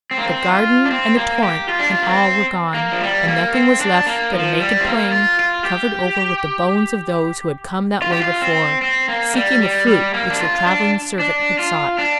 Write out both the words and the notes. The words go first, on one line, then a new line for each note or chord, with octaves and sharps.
The garden and the torrent and all were gone, and nothing was left but a naked plain covered over with the bones of those who had come that way before, seeking the fruit which the travelling servant had sought.
C4
A#3
C4
F4
D4
C4
A#3
G4
F4
D4
F4
A#3
C4
A#3
F3
G3
A#3
C4
D4
A#3
F3
G3
C4
A#3
F4
F4
G4
F4
G4
F4
C4
C4
A#3
G3
G3
G3
A#3
D4
F4
D4
D4
F4
D4